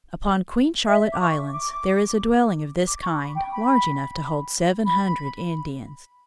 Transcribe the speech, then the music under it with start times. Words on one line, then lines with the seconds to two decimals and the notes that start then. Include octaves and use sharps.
Upon Queen Charlotte Islands there is a dwelling of this kind large enough to hold seven hundred Indians.
0.86 E5
1.12 D6
1.20 C#6
1.52 D6
2.86 D6
3.02 C#6
3.18 B5
3.36 G5
3.52 B5
4.84 B5